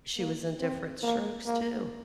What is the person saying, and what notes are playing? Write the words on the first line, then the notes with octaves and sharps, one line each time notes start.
She was in Diff'rent Strokes, too.
A#3
C4
A#3
A#3